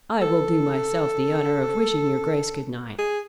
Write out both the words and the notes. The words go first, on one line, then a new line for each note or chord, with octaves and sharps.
I will do myself the honour of wishing your Grace good-night.
A4
G#4